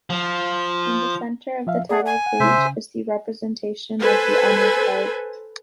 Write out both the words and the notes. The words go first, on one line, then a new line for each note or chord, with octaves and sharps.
In the center of the title page is the representation of the honor card.
F3
F3 E5 F5
G#4 D5 F#5
G#5
F#5
C3 G#3 C5 E5
C#3
A4 B4 C5 G#5